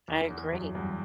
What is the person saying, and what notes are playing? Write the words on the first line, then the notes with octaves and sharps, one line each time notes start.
I agree.
E2
E2
F#2
E2 G2